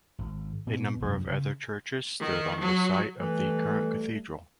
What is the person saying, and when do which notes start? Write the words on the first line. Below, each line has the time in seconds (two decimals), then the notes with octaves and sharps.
A number of other churches stood on the site of the current cathedral.
0.19 G#1
0.67 A#2 B3 C4
1.00 C2 F#2 B2
1.30 C#3
2.20 D#3
2.61 F#3
3.20 E3 G3 A3